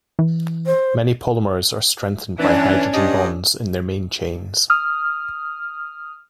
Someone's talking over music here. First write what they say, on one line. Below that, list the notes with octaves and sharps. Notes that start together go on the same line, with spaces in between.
Many polymers are strengthened by hydrogen bonds in their main chains.
E3
C5
E3 C#4 D4
G2 G3 D#5
D#6 F6